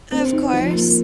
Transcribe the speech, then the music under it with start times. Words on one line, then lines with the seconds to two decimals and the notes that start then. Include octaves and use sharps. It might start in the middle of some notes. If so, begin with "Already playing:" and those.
Of course.
0.12 C4
0.33 D#4
0.53 F3
0.73 A#3